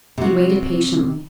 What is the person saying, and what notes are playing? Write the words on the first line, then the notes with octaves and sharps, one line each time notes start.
He waited patiently.
C3 F#4